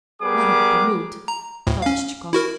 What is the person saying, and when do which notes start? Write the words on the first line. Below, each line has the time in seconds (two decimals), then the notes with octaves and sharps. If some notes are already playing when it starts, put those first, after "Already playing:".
"What a brute!" thought Chichikov.
0.21 G3 B3 G#4 A#4 D6
1.28 A#5
1.67 D2 A2
1.82 C#4 F5
2.33 E4 F#4 A#4